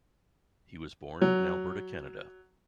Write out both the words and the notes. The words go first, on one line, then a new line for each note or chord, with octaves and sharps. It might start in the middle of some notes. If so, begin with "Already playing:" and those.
He was born in Alberta, Canada.
F#3